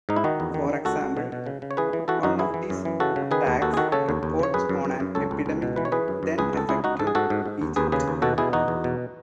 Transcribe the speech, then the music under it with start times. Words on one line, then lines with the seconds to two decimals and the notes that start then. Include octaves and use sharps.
For example, one of these tags reports on an epidemic then affecting Egypt.
0.09 G#2 D#4
0.16 E4
0.24 D#3 D#4 F#4
0.40 E2
0.54 D#3
0.70 D#3
0.85 C#2 F#4 A4
1.01 C#2
1.17 B2
1.32 B2
1.46 C#3
1.62 C#3
1.71 C#5
1.77 E3 G#4 B4
1.93 E3
2.08 E3 F#4 A4
2.23 F#2 D#4 F#4
2.39 E3 E4 G#4
2.54 E3
2.70 F#2
2.85 E3
3.00 C#3 F#4 A4
3.16 C#3
3.31 D#3 G#4 B4
3.47 D#2
3.62 D#2 F#4 A4
3.74 G#4
3.77 D#3 F#4 A4
3.92 C#3 A4 C#5
4.09 D#2
4.23 D#2
4.39 C#3 C#5
4.54 F#2 G#4 B4
4.69 F#2
4.85 F#2
5.00 F#2
5.15 C#2 A4 C#5
5.31 C#2
5.46 C#2
5.62 B2
5.76 E3 B4
5.85 C#5
5.92 E3 G#4 B4
6.08 F#2
6.23 F#2
6.38 C#2 G#4 B4
6.53 C#2 A4
6.69 C#2 E4 G#4
6.84 C#2 D#4 F#4
6.99 G#2 A4
7.07 G#4
7.15 G#2 F#4 A4
7.30 G#2
7.46 G#2
7.61 D#2
7.76 D#2 G#4 B4
7.92 C#3 G#4 B4
8.08 D#2
8.22 B2 F#4 A4
8.38 B2 E4 G#4
8.53 E2 D#4 F#4
8.68 E2
8.84 B2